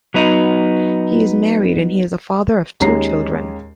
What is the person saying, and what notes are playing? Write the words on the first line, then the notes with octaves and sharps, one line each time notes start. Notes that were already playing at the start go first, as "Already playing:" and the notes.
He is married and is a father of two children.
F#3 B3 D#4
D#2 G#3 C#4 A#5 C7